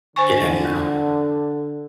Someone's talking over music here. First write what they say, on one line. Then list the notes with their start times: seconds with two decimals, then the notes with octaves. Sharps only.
Yeah, no.
0.16 D3 C5 G#5 C#6